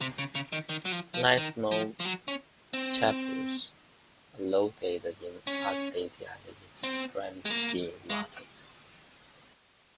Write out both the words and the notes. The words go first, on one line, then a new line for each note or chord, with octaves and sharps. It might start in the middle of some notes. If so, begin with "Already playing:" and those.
Nine small chapels are located in Aulesti and its surrounding mountains.
C3
C#3
C#3
D#3
D#3
F#3
F3
F3
D#3
F3
F3
F#3
C#4
C4
C#4
C4
G#3
A#3
G#3